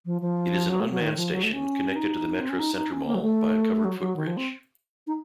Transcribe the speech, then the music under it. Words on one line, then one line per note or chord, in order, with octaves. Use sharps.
It is an unmanned station, connected to the MetroCentre mall by a covered footbridge.
F3
F3
F#3
A3
F#3
D#3
F3
F#3
A3
C#4
D#4
C4
C#4
D#4
D#4
C#4
A#3
F#3
A3
F#3
F#3
D#3
F3
C4
D#4